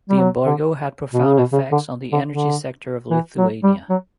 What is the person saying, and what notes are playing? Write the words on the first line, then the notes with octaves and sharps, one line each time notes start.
The embargo had profound effects on the energy sector of Lithuania.
G3
F#3
D3
B2
C#3
B2
C#3
D3
D3
D3
E3
F#3
G3
F#3